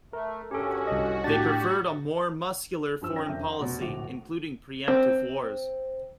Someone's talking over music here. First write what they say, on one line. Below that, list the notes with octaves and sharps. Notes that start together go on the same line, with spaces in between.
They preferred a more muscular foreign policy, including preemptive wars.
A3 A#4
G2 C#4 F#4 G4 A4
C2 D#5
A2 D4 G4 A6
G2 F3 E6
C#4 A#4 G5 A#6
F2 C3 D4 E5 G6
F#5 A#5 C6
F1 B2
D1 A#1 A3 F#4 D6 F7
C4